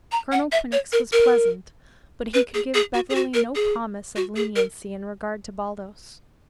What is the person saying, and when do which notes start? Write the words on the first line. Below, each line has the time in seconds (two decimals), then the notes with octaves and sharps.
Colonel Quinnox was pleasant, but he could give Beverly no promise of leniency in regard to Baldos.
0.12 A#5
0.32 F#5
0.52 E5
0.72 C#5
0.92 A#4
1.12 A#4
2.34 B4
2.54 G#4
2.74 G#4
2.94 F#4
3.10 G#4
3.15 F#4
3.34 A#4
3.55 G#4
4.16 F#4
4.36 G#4
4.56 A#4